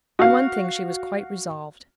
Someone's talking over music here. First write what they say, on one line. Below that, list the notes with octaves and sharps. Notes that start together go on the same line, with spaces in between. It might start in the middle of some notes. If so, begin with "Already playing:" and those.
On one thing she was quite resolved.
F#4 F5